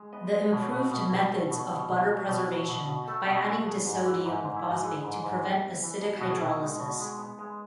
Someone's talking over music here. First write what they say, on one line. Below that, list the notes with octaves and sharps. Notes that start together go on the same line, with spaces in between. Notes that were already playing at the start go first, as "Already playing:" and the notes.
The improved methods of butter preservation, by adding disodium phosphate to prevent acidic hydrolysis.
Already playing: G#3
B3 D#5
D#5
G#3
D#5
B2 C#5
B2 B4
B2
B2
A3
B2
B2
B2
F#3
B2
F#3
B2
B2
A3 A4
B2
A3
B3 G#4
G#2
E3
G#2
G#2
E4
G#2
F#4
E3 G#4
G#2
G#2
B3
B3
E3
B3 A4
B2 F#4
G#4
B2 E4
G#3 D#4
B2
G#3
B3
G#3